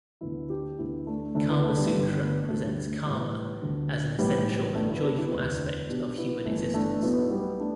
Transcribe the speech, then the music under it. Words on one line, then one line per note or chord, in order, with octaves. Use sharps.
"Kama Sutra" presents kama as an essential and joyful aspect of human existence.
D2 D3 B3 E4
D4 G4
D2 D3 B3 E4
A3 D4
D2 D3 A3 D4
B3 E4
A3 D4
G3 B3
A3
G1 G2 D3 G3
A3
D2 D3 A3
G3
A3
B1 A2 E3 G3 B3
D2 D3
B1 A2 E3 G3 B3
G3 B3
G1 G2 E3 A3 D4
B3 E4
D4 G4
B3 E4
D4
E1 D2 D3 B3 E4
B1 B2 D4 G4
B3 E4
G1 G2 E3 A3
A3 D4
B1 B2 B3 E4
G3 B3
A3 D4